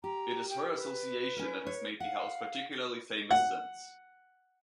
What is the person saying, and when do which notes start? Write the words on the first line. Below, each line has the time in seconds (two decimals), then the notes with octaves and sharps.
It is her association that has made the house particularly famous since.
0.04 G4 A#5
0.49 G5
0.75 B4
1.36 C#4 E4 A#4
1.67 C#5
2.00 F5 F#5
3.31 F#5